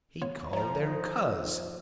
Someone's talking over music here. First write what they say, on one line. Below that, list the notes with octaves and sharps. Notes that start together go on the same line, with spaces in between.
He called her Coz!
B3 F4 C#5
F3 C#5 D5 A#5
D#4